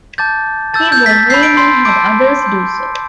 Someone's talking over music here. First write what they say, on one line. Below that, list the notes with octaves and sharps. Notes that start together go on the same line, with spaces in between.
He wore green and had others do so.
A5 D6 G6 A6
A5 E6 G6 A6
G6
B6
A6
B5 E6 G6 C7
D7
C6 C7
A5 D6 E6 G6 D7
C6 G6